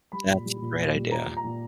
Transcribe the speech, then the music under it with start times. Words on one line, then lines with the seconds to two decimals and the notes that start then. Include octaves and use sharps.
That's a great idea.
0.12 G3 B5
0.29 A#2
0.45 G3
0.62 A#2
0.78 A#2
0.95 G3
1.11 A#2 A#5
1.27 A#2
1.37 A#5
1.44 A#2